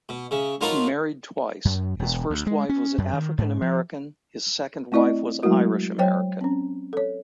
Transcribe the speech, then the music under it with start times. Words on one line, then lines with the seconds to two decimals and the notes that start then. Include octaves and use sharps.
He married twice: his first wife was African-American, his second wife was Irish-American.
0.09 B2
0.31 C#3 E5
0.61 F#3 D#4 F4 A#4 A5 B5
1.65 F#2
1.99 E1
2.30 D2
2.47 G#3
2.69 C#4
2.98 F#2
3.13 D#3
3.38 G#2
3.62 F3
4.92 A3 C4 E4 D5 D#5
5.42 F#3 G#3 A3 E4 F#4 A#4
5.98 F#3 C5 C#5 G5
6.41 C4 C#4
6.93 A4 C#5